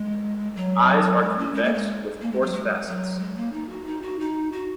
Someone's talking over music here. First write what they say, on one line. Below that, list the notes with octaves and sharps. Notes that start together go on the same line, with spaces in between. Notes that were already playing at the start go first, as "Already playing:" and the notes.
Eyes are convex with coarse facets.
Already playing: G#3
F#3
G#3
C#4
G#3
A#3
G#3
A#3
G#3
F#3
G#3
F#3
G#3
A#3
D#4
F#4
D#4
F#4
D#4
F#4